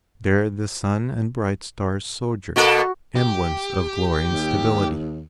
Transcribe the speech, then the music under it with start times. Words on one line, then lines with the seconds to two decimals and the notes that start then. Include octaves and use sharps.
There the sun and bright stars sojourn, emblems of glory and stability.
2.56 B2 A#3 F#4 A4
3.16 G4
4.24 D#2